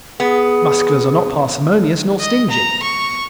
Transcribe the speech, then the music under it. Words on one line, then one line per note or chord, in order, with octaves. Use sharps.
Musculars are not parsimonious nor stingy.
B3 G#4
D#5
A#5
C#6